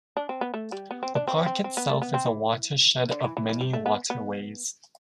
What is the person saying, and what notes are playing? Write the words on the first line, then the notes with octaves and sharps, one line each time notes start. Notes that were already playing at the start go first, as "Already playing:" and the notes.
The park itself is a watershed of many waterways.
D4
C4
B3
A3
G3
B3
C4
D4
C4
C4
C4
B3
A3
B3
C4
E3
D3
E3
E3
E3
G3
A3
B3
B3